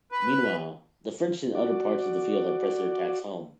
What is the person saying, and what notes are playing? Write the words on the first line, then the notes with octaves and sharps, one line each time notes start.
Meanwhile, the French in other parts of the field had pressed their attacks home.
B4
F#4 D5